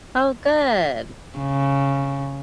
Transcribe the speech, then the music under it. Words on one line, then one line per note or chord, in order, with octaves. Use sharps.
Oh, good.
C#3